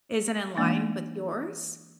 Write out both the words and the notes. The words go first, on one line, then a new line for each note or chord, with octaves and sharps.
isn't in line with yours,
E3 G#3 A#3 D4 D#4